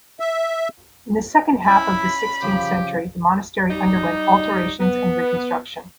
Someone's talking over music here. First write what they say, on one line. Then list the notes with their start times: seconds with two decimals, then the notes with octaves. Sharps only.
In the second half of the sixteenth century the monastery underwent alterations and reconstruction.
0.20 E5
1.67 C#4 E4 B5
2.42 C#3 F3 G4
3.70 G3 D#4
4.80 B3